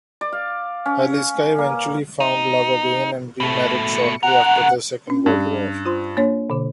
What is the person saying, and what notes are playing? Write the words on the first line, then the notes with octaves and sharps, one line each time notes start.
Eliska eventually found love again and remarried shortly after the Second World War.
D5
F5
C#4
A#3
D#4
B2 A3
C#7
C#3 A#4 F#5
C#4 D4
G2
F4 C5 C6
A#3 D4 C#5
B2 D3